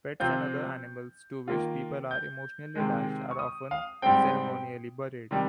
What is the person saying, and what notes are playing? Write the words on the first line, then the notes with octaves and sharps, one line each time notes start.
Pets and other animals to which people are emotionally attached are often ceremonially buried.
C3 F3 C4 F4 G6
D#3 A#3 F4
G6
C3 D#3 G#3
C#6
D#6
F5
G#2 G3 C4 G5
C3 D#3 G3